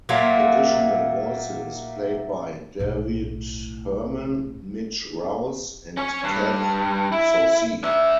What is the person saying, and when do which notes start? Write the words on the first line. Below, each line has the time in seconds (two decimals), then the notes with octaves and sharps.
Additional voices played by David Herman, Mitch Rouse and Kath Soucie.
0.09 A#2 F#3 A3 A#3
2.79 B1 A2
5.97 C#4 C#5
6.24 G2
7.12 E4
7.83 D4 E5